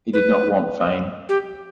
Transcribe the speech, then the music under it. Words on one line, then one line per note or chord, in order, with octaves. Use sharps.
He did not want fame.
B4
G4